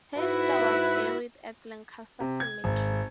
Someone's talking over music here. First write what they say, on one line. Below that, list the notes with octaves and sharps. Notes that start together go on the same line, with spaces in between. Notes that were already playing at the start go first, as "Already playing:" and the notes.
Hiester was buried at Lancaster Cemetery.
G#2 E4 F#4 B4 E5
C3
G#6
G#1